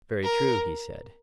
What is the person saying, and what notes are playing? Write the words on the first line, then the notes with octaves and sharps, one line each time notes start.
Very true, he said.
A#4